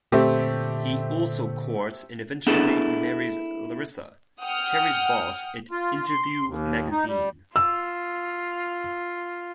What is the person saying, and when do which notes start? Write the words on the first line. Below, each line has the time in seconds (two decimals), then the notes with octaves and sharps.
He also courts and eventually marries Larissa, Carrie's boss at Interview magazine.
0.12 A#2 D3 A3 C4 G4
2.47 B3 D4 E4 G#4 A4
4.40 F#5 G5 D#6 F6
5.71 F4
6.06 C6
6.47 D#2
6.91 D#4
7.06 G3
7.56 F4 E6